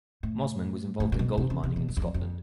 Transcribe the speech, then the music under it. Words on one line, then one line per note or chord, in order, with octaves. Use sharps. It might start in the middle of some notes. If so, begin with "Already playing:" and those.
Mosman was involved in gold mining in Scotland.
A2
A2
A#2
B2
C3
C#3
C3
B2
F#2
E2
F2
F2